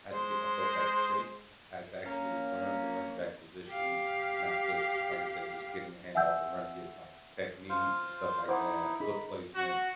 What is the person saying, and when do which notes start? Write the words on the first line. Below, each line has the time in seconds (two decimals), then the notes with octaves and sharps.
I had to get myself back in shape. I had to actually learn the running back position, not just, like I said, just getting a hand off and running it, like, technique and stuff like that, foot placement,
0.09 G#3 C5
2.06 A#3 C#4
3.68 G4 F5
6.15 E5 F#5 G#5 E6 G6
7.70 F4 C5 F5
8.48 D#4 E4 C5 F#5 D6
9.00 D#4 G#4 B5
9.55 F#4